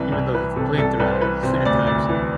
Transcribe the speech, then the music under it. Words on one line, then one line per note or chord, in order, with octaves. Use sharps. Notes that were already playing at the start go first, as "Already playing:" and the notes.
even though he complained throughout it at times,
Already playing: C2 C3 E3 B4
C2
E3 B4
C3 A4
C2 A4
C2 B4
C5
E3 B4
C3 C5
D2 D5
D2 D5
E3